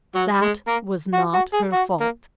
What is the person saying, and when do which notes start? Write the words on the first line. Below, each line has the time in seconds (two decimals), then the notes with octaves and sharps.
"That was not her fault."
0.15 F#3
0.42 G#3
0.67 A#3
1.14 F#4
1.34 F#4
1.54 G#4
1.73 F#4
2.00 A#3